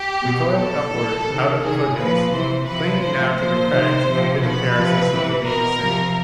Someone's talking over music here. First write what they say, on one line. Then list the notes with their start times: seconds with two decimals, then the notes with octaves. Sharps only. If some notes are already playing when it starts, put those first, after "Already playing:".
We toiled upward, out of the foothills, clinging now to the crags and pitted terraces of the main ascent.
Already playing: G4
0.23 B2
0.57 B2 A4
0.92 A2 E3
1.27 C3 D#3
1.62 C3 D#3 G#4
1.96 A#2 F3 B4
2.31 C3 E3 C5
2.66 C3 F3 B4
3.01 A2 F3 C5
3.36 A#2 F3 C5
3.71 C3 D#3
4.06 C3 F3
4.41 B2 B4
4.76 C3 F3
5.10 C3 E3
5.45 B2 A#4
5.80 C3 F3